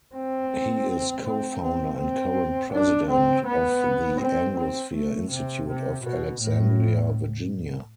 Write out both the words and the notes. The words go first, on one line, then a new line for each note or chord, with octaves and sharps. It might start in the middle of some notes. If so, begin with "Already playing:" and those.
He is co-founder and current President of the Anglosphere Institute of Alexandria, Virginia.
C4
C4
C4
C4
D4
C4
B3
C4
C4
A3
C3
C3
B2
A2